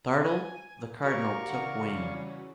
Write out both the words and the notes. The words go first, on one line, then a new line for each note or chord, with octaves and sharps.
Startled, the Cardinal took wing.
G#5
F#4 G4 A#4 D5 F5 C#6
C#3 E3 F#4 F#5
G3 C#4